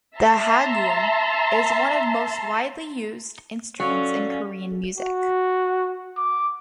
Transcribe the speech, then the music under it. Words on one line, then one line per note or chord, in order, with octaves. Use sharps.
The "haegeum" is one of the most widely used instruments in Korean music.
E5 A5 A#5 C6
F#3 C#4 A4 D5 F5
F#4
D6